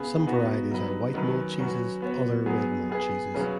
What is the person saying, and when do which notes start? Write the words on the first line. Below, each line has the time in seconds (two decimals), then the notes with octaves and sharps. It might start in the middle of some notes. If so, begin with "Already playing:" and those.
Some varieties are white mold cheeses, others red mold cheeses.
Already playing: C#3 B3 G#4 B4
0.26 B3 D#4 F#4
0.71 F#3 D#4 B4
1.14 D#3 F#3 C#4 B4
1.59 F#3 C#4 F#4 B4
2.02 B3 F#4 C#5
2.46 F#3 B3 G#4
2.90 B3 G#4 B4
3.34 C#3 F#3 C#4 B4